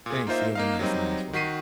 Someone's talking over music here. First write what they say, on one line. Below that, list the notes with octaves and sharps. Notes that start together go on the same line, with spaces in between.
Thanks, you have a nice night as well.
A#2 G#4
A#3 D#4 F4 C5 E5
A#3 D#4 F5
F#3 G3 C4 D#4
D#3 F#4 B6 C7 D#7